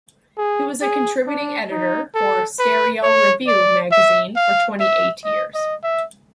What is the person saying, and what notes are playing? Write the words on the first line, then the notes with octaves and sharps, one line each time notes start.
He was a contributing editor for "Stereo Review" magazine for twenty-eight years.
G#4
G#4
D4
D#4
A4
B4
C#5
D5
E5
F5
E5
D#5
D#5
E5